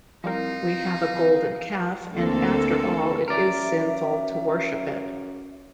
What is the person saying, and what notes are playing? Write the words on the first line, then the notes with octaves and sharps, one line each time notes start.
We have a golden calf and after all it is sinful to worship it.
F3 G3 C4 D#4 E4 A#4 F5
D2 A#3 C4 A4
F#2 A#4 D5 E5